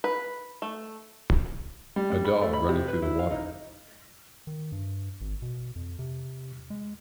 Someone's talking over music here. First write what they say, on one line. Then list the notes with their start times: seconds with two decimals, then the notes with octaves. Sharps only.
A dog running through the water.
0.04 B4
0.62 A3
1.96 G3
2.10 G3
2.25 B5
2.42 A3
2.53 B5
2.69 C3
2.88 B4
3.02 E4
3.19 F5
3.31 D#4
4.47 D#3
4.72 G2
5.21 G#1
5.42 B2
5.76 F2
5.99 C3
6.70 G#3